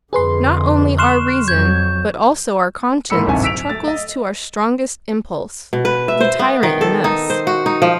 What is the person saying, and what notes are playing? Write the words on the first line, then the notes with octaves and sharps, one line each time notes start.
Not only our reason, but also our conscience, truckles to our strongest impulse--the tyrant in us.
F2 D3 G#4 B4 C6
C6 C#6 F6 F#6 E7
F2 F#3 G6 G#6
G#2 E3 A#3 B5 E6 C#7
D1 G#1 G2 C3 G#5
E6 B6 D7 F7
A3 A6
D#5
B2
B4
E5
C5
B3
D#3
A4
D#4
C5
F#4
D#4
F3